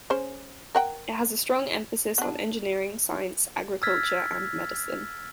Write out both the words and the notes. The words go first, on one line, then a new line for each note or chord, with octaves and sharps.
It has a strong emphasis on engineering, science, agriculture, and medicine.
C#4 G#4 C5
A#4 F#5 G5
B3 D4
E6 F6 G#6 A6 B6